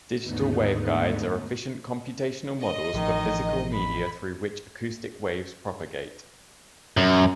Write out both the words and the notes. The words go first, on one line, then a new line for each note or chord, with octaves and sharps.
Digital waveguides are efficient computational models for physical media through which acoustic waves propagate.
D#2 G#2 D3 A3 B3 D#4
D#5
A1 D#3 F3
B5
F#2